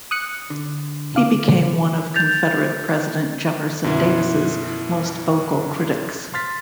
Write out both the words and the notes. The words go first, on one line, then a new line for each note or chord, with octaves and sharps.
He became one of Confederate President Jefferson Davis's most vocal critics.
D#6 F#6 C#7
D3
C#3 F5 D6
G6 A6 F7
F#2 B2 E4
C6 F6 A6 B6